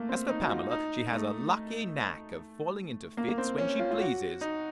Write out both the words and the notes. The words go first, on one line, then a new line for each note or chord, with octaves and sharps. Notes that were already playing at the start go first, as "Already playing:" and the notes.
As for Pamela, she has a lucky knack of falling into fits, when she pleases.
Already playing: A3 A#3
C4
D#4
F#4
F4
D#4
A3
A#3
A#3
C4
C#4
F4
F4
F#4
D#4